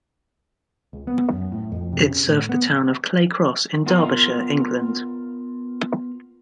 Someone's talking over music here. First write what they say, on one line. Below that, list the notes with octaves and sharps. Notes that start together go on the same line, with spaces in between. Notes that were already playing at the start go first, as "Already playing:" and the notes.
It served the town of Clay Cross in Derbyshire, England.
C#2
B3
F#2
A2
F2
C3
C#3
A2
B3
B3 F4 A#4 F5 A#5